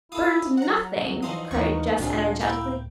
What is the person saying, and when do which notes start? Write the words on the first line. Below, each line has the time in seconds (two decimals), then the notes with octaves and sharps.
"Burned, nothing!" cried Jess energetically.
0.12 E4 F4 A4 D#6
0.57 F#3 F#5 A#5
1.23 E2 D#3 F3 D#5 C6 D#6
1.51 D#2 E3 D#4 A#4 B4 C#6
1.98 C#2 A2 C3 D#3 D4 F4 F#4 G#4
2.41 A#3 E4 G5